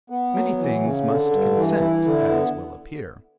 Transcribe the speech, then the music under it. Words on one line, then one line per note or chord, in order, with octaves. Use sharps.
Many things must consent, as will appear.
B3
F#3
E3
C#3
D3
G2
E3
E4
D3
B3